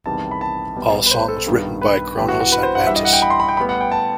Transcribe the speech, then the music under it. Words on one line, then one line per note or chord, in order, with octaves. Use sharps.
All songs written by Cronos and Mantas.
E2 C3 D#3 G3 B3 A5
B5
A5
B2 G3 B3
B4
C5
A4
G2 D#3 G3 B3
B4
G2 E3 B3 G4
F#4
F#4
B4
C5
F#5
G2 E3 G3 E5
D#5
F#5
G5
B5
C6
B5
G5
A2 G3 B3 B5
F#5
G5
A5